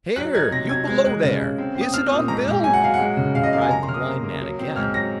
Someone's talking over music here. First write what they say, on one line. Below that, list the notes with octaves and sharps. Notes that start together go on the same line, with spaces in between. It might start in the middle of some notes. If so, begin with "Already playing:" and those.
"Here, you below there, is it on Bill?" cried the blind man again.
F#3 F#6
D#4 G#6
C3 A#6
F#3 G#6
G#3 G#6
G#3 F#6
C#3
C#3
C4
C4
D#6
C4 F6
A#2 D#6
G#2 A#5
G#2
F#3 G#5
F#5
F#3 F5
F#5
G#3
C#3
C#3 F5
D#5
F#2 F5
G#5
C#3 A#5
C6
C#3 F6
D#6
A#3
A#3
F#3
C4
G#2 F6
F#3 A#6